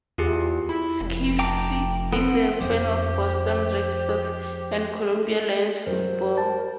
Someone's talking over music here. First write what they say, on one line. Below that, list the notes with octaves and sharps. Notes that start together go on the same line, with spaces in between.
Schiff is a fan of the Boston Red Sox and Columbia Lions football.
E2 F4 G4 G#4
E4 B5
F1
G5 A5 A#5 D6
B3 C4 A4 D7
F2 C#4 G4 C5
F#2 F#3 A#4 C5
A5 A6